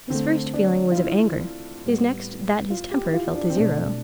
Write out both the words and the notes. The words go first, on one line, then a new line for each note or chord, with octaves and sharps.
His first feeling was of anger; his next that his temper fell to zero.
D3 A3 C4
D4
F4
E4
A2 G3 B3
F4
G4
E4
F4
D4
C4
B2 A3 D4